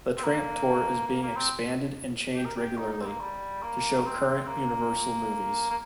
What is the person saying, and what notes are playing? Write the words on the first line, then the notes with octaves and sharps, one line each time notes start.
The tramp tour is being expanded and changed regularly, to show current Universal movies.
C4
A#3
A#3
A#3
C4
G4
A#4
G4
D#4
D#4
C4
A#3
G3
A#3
C4
C4
A#3
A#3